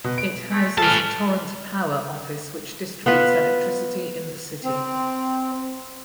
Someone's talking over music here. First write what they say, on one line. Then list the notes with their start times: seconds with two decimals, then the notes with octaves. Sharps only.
It houses Torrent Power office which distributes electricity in the city.
0.04 B2
0.18 D7
0.51 G#3 A3
0.78 G#4 A4 B4 F5 A5
3.06 B3 F4 B4
4.64 C4